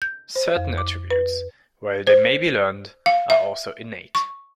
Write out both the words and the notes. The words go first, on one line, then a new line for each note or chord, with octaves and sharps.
Certain attributes, while they may be learned, are also innate.
G6
C5
F2
D6
B4
C5
F5
E5
C#6